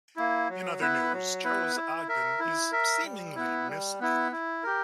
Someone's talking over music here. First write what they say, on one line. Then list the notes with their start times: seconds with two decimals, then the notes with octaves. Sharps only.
In other news, Charles Ogden is "seemingly" missing.
0.16 A#3 E4
0.49 F#3
0.81 B3 E4 B4
1.13 F#3
1.44 B3 E4 B4
1.76 E4
2.08 A#4 E5
2.40 E4
2.72 A#4 E5
3.04 G3
3.35 B3 E4
3.67 G3
4.00 B3 E4
4.32 E4
4.63 G4 A#4